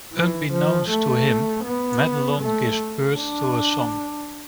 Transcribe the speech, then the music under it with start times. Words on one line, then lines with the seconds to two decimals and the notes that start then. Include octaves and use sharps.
Unbeknownst to him, Madelon gives birth to a son.
0.13 E3
0.51 F3
0.89 A3
1.64 B3
2.40 A3
3.15 D4